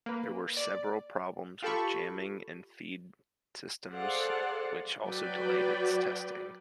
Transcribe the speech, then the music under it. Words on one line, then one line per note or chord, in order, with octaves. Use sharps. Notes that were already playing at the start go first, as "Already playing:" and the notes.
There were several problems with jamming and feed systems, which also delayed its testing.
A#3 B4
D5
F4 G4 A4 A5 B5 C#6
G#4 A4 C5 D5 F5 F#5
F#3 B4 D5 G5